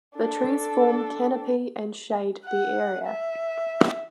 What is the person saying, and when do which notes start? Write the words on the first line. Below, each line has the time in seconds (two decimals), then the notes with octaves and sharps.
The trees form canopy and shade the area.
0.15 D4 A4
2.45 F#5
3.06 E5